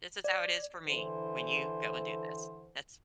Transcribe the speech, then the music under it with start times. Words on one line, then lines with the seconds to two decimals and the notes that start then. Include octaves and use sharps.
This is how it is for me when you go and do this. That's f
0.24 D5
0.86 D3 E3 A4 C5